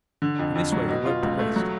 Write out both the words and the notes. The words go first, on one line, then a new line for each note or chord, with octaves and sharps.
In this way the work progressed.
D3
F2
F2
F#3
B2
F4
C#2
A3
F#3